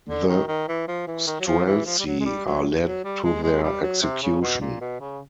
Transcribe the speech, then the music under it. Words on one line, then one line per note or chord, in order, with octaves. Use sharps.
The Streltsy are led to their execution.
D3
D#3
D#3
E3
F3
E3
D#3
F#3
F3
E3
F3
G3
F#3
G#3
G3
F#3
F#3
G3
G#3
G#3
G3
F#3
C3
C#3
B2
A#2
B2
C#3